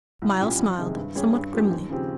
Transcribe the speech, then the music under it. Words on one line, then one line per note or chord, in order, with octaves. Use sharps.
Myles smiled somewhat grimly.
C2
A#2 G3 C#4
F2
C3 D#3 G#3
G2
G3 C#4 G#4 C#5
G2
F3 A#3 C#4 G4
D#2
C#3 F3 C4 G4